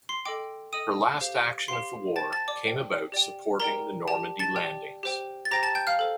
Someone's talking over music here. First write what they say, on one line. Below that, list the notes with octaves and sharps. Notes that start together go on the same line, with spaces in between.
Her last action of the war came about supporting the Normandy Landings.
C6 C7
A4 D#5 G5 D6 D7
A4 D#5 G5 D#6 D#7
G4 C5 F5
G4 C5 F5 C6 C7
C5 G5 A5 A6
A5 A6
D5 D6
C5 G5
G4 D5 G5
G4 A#4 D5 G5 A#5
G4 D5 G5 A5
A5 A6
G4 D5 G5
G4 C5 G5
A6
G4 C5 G5 A#5 A#6
A5 A6
G5 G6
F5 F6
A4 C5